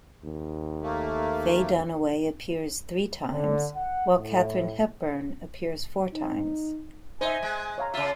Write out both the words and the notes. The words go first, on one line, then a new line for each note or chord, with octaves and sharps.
Faye Dunaway appears three times, while Katharine Hepburn appears four times.
D#2
A3 A#3
D3
F#5
A2
D#4
D#4 C5 D#5 E5 G#5
G#3
C#5 F5 A#5
C#3 F4 E5